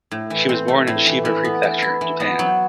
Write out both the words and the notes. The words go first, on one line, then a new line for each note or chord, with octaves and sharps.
She was born in Chiba Prefecture, Japan.
A2
E3
C4
A3
A2
E3
E3
B3
E3
E4
E3
B3
F#3